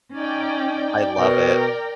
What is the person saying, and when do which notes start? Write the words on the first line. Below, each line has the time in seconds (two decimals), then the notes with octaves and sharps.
I love it.
0.12 C#4 D#4 D5 G5
1.19 B2 A#4